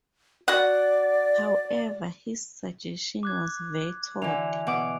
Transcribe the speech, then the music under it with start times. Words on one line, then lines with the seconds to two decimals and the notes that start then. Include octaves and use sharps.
However, his suggestion was vetoed.
0.48 F#4 D5 F#5
3.23 D6 F#6 G#6
4.22 D3 E3 G#5 F7
4.67 B2 F#5 D6